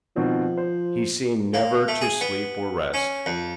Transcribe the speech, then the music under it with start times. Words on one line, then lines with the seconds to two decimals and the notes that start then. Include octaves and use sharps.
He seemed never to sleep or rest.
0.16 B2 D#3 F3 C4
0.57 C5
1.54 A#3
1.88 A3
2.02 G#4
2.21 B3
2.94 C#4
3.26 F2